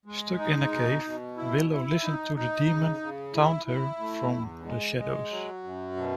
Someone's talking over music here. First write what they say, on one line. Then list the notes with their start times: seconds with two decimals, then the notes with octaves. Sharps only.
Stuck in the cave, Willow listens to the demon taunt her from the shadows.
0.06 G#3
0.38 D#4
0.72 B2
1.05 B2
1.37 E4
1.70 E4
2.03 D#4
2.36 D#4
2.69 C#3
3.01 C#3
3.34 E4
3.66 E4
3.99 A3
4.32 E2
4.65 G#3
4.97 G#3
5.31 F#3
5.64 F#2
5.96 B2